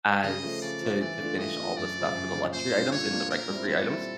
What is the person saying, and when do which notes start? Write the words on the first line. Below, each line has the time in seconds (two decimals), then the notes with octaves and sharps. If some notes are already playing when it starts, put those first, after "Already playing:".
as to to finish all the stuff for the luxury items and the regular free items,
0.23 C#3 D#5
0.42 F3 A3
0.62 C#3 D5
0.81 F3 A3
1.01 E3 D5
1.19 A3 D4 F4
1.38 E3 D#5
1.58 A3 D4 F4
1.77 F#2 D5
1.97 C#3 F3
2.16 F#2
2.35 C#3 F3
2.53 A#2 C5
2.72 G3 A#3 D4 F4
2.92 A#2 C#5
3.11 G3 A#3 D4 F4
3.31 A#2 A#4
3.50 G3 C4 E4
3.69 A#2 A4
3.88 G3 C4 E4